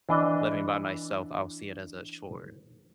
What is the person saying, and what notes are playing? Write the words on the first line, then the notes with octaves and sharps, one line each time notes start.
living by myself, I'll see it as a chore,
E3 D4 D#5